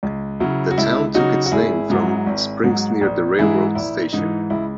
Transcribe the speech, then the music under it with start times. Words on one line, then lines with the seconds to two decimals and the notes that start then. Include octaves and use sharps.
The town took its name from springs near the railroad station.
0.03 C#2
0.40 C#3 F#3 E4
0.71 F#4
0.78 C#2 E4
1.14 C#3 F#3 D#4 F#4
1.46 F#4
1.52 G#1 E4 G#4
1.90 G#2 F#3
2.26 G#1
2.64 G#2 F#3
3.01 A#1
3.38 G#2 E3 E4 G#4
3.75 A#1 E4
4.13 G#2 E3 D#4
4.50 C#2 E4